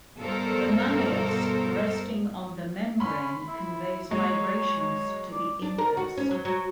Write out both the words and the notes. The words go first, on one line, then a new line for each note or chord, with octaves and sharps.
The malleus, resting on the membrane, conveys vibrations to the incus.
G2 B2 A4 A#4 C5
C#4 B5 C6
E4
F#3 G#3 C#5
C#5
D5
D4
A#4
F#4
C#4
F#3
F#3